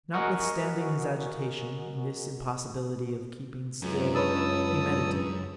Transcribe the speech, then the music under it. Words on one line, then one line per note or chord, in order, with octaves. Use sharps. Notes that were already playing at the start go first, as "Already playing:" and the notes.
Notwithstanding his agitation, in this impossibility of keeping still, he meditated.
F#4 A#4 D#5 F#5 G#5 C#6
C#2 F#2
D4 B4 C#5 A5 D#6 E6